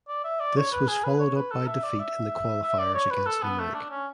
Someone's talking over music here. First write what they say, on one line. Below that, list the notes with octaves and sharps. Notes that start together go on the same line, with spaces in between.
This was followed up by defeat in the qualifiers against Limerick.
D5
E5
D5
C#5
B4
G#4
B4
C#5
B4
A4
E5
D5
E5
E5
D5
C#5
B4
A4
B3
A3
D4
C#4